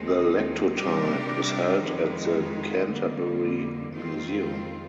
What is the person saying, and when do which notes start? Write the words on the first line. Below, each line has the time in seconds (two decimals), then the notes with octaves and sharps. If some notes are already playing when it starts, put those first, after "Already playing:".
The lectotype is held at the Canterbury Museum.
Already playing: D#2 D#3 G#3 C4 D#4
0.76 C3 G3 D4 G4 A#4
1.81 F2 D#3 G#3 D#4
2.87 F2 D3 G3 A#3
3.92 F2 D#3 G#3 C4 F4